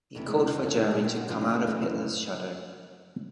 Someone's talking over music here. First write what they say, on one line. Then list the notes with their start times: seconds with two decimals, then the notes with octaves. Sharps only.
He called for Germany to "come out of Hitler's shadow".
0.15 E2 C3 E3 A3
0.28 G#3
0.53 F2 D3 F3
0.66 C#4
0.78 E4
0.91 A#2 F3 G#4
1.04 G4
1.16 F#4
1.29 F#2 C#3 F3 F4
1.41 D#4
1.54 A3
1.67 F#2 C#3 E3 A3